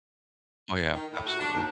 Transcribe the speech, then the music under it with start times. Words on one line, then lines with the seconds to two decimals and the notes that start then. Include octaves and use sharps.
Oh yeah, absolutely.
0.94 D#3
1.13 A2
1.27 F#4
1.40 D4
1.54 D#2